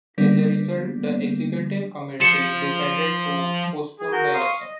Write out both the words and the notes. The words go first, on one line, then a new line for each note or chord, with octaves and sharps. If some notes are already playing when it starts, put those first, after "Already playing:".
As a result, the executive committee decided to postpone the election.
D3 G3 A#3 B3 D4
F3 C#7 E7
G#4
F#4 A#4 G6
F5 C6 C#6 D#6
D#5